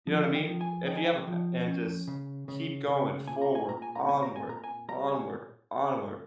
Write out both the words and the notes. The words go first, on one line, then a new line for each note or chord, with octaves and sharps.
you know what I mean? If you have a pa and just keep going forward, onward, onward, onward.
F3
F5
G5
F3
G#5
D#4 G5
G#5
G5
F3
C#4
C#3
C#3
C#3
A#2 G#5
A#5
G#5
A#2 A#5
G#5
A#5
C4 G#5
A#5
G#5
A#2 A#5
G#5
G3 A#5
G#5